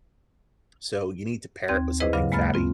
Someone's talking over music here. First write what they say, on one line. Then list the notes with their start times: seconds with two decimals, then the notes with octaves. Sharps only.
So, you need to pair it with something fatty
1.68 D#2 C4 G#6
2.00 E4 G#4 B4 C5 D#5
2.13 D2 G2 C#3 F#3 F5 D6
2.32 G#3 A#3 B5 F6 A6
2.54 C4 F4